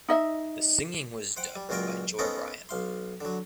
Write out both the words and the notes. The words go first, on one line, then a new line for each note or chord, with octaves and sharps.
The singing was dubbed by Joy Bryan.
D#4 D#5 E5
C5 F#5 G5
G3
C#2 A#2 F#3 F4 A#4 G5
B3 C#4 D#4 A4 A#4 C5
B1 F5 C6
D3 F#3